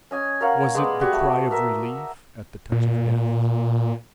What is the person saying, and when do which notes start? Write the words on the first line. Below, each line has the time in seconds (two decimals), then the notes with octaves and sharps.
Was it the cry of relief at the touch of death?
0.11 C#4 D#5 G#5
0.41 A#4 C#5 F5 F#5
0.74 G#3 B3 D5 D#5
1.01 G3 F#4
1.13 A3
1.51 A#4 E5
2.72 A#2